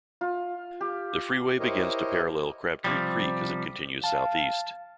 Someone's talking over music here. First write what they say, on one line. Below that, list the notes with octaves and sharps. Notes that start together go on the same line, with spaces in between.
The freeway begins to parallel Crabtree Creek as it continues southeast.
F4
G4
E4 G4 A#4 C5 C#5 D#5
C3 F3 G3
F5 A5